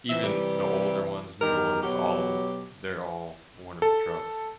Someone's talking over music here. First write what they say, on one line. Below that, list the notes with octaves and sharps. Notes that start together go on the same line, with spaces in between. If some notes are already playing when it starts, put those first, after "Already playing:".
Even the older ones, newer ones, all of 'em, they're all wonderful trucks.
C3 E3 E5
G3
E2 D#3 G4 A#4
B2 F#3 G4
A4